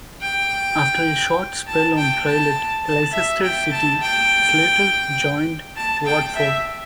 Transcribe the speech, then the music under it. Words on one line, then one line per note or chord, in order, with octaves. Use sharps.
After a short spell on trial at Leicester City, Slater joined Watford.
G5
A5
G5
A5
A5
E5
G5
A5
G5
A5
G5
E5